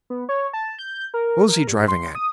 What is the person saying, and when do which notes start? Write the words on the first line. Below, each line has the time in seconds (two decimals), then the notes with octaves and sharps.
What was he driving at?
0.10 B3
0.29 C#5
0.53 A5
0.79 G6
1.14 A#4
1.48 A#4
1.68 G2
1.88 C6
2.15 D#6